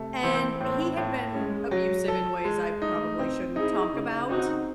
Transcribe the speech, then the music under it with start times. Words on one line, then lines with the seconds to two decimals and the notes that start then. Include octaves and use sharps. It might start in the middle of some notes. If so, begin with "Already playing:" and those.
and he had been abusive in ways I probably shouldn't talk about
Already playing: C3 A3
0.23 E3 C4
0.61 A2 C4
0.97 A2
1.34 G#3 C#4
1.71 F#3
2.08 A4
2.45 G#3
2.82 A3 D#4
3.19 C4
3.56 D#4 E4 G#4
3.93 C#3
4.30 C4 D#4 F#4